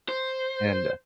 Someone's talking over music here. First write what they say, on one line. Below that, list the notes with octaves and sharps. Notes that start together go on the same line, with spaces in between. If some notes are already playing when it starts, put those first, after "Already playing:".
and, uh
C5